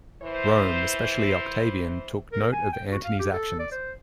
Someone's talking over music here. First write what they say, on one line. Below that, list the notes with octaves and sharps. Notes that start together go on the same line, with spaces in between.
Rome, especially Octavian, took note of Antony's actions.
E3 C5
A#4
G#5
G5
F#4
F5
G4
A4
D5
C5